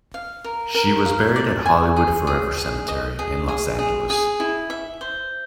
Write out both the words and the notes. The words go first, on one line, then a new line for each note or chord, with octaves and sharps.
She was buried at Hollywood Forever Cemetery in Los Angeles.
F5
A#4
A#4
F5
D5
G#5
G#4
G#4
G#4
D#5
G#4
G#4
G#4
G#4
E4
E5
C5